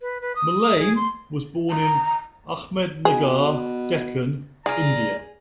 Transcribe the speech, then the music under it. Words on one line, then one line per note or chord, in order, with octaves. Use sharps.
Mullane was born in Ahmednagar, Deccan, India.
B4
B4
D#6
G#4
C6
A#5
B2 G#4
F4 G#4 D5 A#5